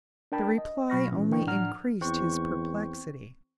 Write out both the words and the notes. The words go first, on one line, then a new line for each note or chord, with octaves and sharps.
The reply only increased his perplexity.
D4 A#4 G5 A5 B5
D#5
B2 F#3 B5 C#6 F6 A#6
A#2 E3 C#4
D3 E3 D4 G5 C#6
A2 F3 D4 F#5 A#5 F6
E2 C4 C5 C#6